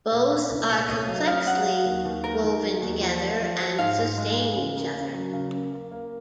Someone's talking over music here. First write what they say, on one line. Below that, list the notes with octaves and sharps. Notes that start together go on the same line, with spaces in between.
Both are complexly woven together and sustain each other.
A#2
C#4
C2
A#2 C#5
C2 D#5
F#3 F5
C#4 F5
F#3 F#5
F#3
D#2
D#2
A#3 A#4
D#3
F#3
D#2
F3
F3
F3
F3
G#2 F5
G#2
G#3
G#3
C#3
A#3
C#3
F#3
C#3
A#3
A#3
A#3